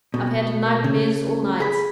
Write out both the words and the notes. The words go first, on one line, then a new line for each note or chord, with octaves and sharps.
"I've had nightmare all night!"
B2
C#3
G#4 B5